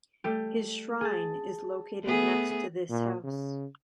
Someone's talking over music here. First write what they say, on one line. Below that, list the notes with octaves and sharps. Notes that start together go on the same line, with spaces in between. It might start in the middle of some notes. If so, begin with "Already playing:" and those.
His shrine is located next to this house.
G3 A3 G4
G#4 A5
A3 B3 G#4
A#2
C#3